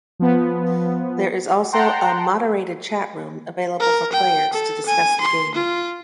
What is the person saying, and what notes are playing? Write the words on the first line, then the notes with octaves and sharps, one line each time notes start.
There is also a moderated chat room available for players to discuss the game.
F3 B3
F#5 G5 A5 A#5 C6
A#4
G5
A4
G#5
C6
F4